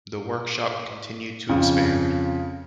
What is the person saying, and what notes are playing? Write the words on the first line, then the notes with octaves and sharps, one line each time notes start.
The workshop continued to expand.
F2 C#3